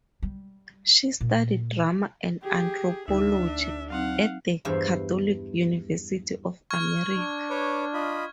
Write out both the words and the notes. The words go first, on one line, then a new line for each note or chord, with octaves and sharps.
She studied drama and anthropology at The Catholic University of America.
G3
A#2
G4 G#4
D2 D4 D#4 E5
F#3 C4 D#4 F5 F#5
E2 G2 B4 C5 E5 F5
C#6 F6 G#6
D4
B4 C#5 D6
F4 D#5 B5